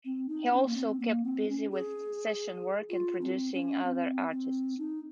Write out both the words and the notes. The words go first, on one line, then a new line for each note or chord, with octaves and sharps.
He also kept busy with session work and producing other artists.
C4
D#4
C#4
A#3
C4
A#3
C4
C#4
G#4
F4
C4
C#4
C4
C4
D#4